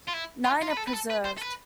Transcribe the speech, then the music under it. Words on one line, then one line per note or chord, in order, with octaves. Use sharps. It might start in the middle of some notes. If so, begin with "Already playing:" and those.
Nine are preserved.
F4
E4
F4
F4
B4
A4
B4
A4
B4
C5
A4
B4